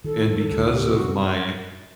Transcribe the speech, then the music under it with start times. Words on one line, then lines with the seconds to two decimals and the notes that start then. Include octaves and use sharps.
and because of my
0.04 D#3 A4
0.28 D#3
0.39 A#4
0.43 A4
0.51 D2
0.73 C3 G4
0.91 F#4